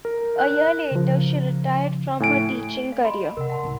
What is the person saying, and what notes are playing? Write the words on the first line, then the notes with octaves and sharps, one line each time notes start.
A year later she retired from her teaching career.
A#4
F#6
C#3 F3
A2 G#5 D7
F5
D#5 B5 C6
C3 A#4 F#5
F#5 A5 C6
C2 G#2